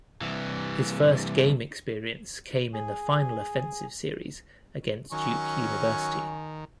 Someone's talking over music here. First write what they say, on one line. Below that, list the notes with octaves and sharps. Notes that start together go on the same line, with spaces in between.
His first game experience came in the final offensive series against Duke University.
C2 E3
G#4
D#3 F#3 C#4 G#5 C#6